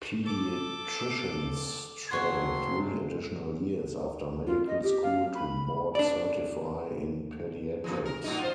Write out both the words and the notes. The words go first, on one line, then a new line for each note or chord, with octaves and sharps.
Pediatricians train three additional years after medical school to board-certify in Pediatrics.
A4 D6
F#1 C5 C#5 F#5 C6
F4
D#5
G4
F5
B5
D4 D5
A#2 E3 F3
A#4
A2 F#3 D#4
F4 C5